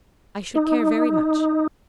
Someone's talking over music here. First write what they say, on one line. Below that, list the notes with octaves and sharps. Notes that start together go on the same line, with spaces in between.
I should care very much.
D#4